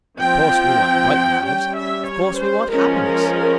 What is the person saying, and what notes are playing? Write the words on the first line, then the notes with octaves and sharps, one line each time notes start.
Of course we want bright lives, of course we want happiness.
F3 C4 G5
G3 C#4 G5
E5
C#5
C5
F3 G#3 C#4 A#4
A#4